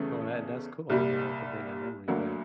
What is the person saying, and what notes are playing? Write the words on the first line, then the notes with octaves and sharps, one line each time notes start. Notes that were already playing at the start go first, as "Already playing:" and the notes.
Oh, that that's cool, glad I could bring that memory back.
Already playing: E2 C#3 E3 A3 C#4
C2 A#2 G3
D2 D3 F#3 A#3